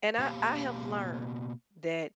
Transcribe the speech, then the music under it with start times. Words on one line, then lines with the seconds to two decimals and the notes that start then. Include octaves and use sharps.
And I I have learned that
0.18 B2 A#3 G4 F5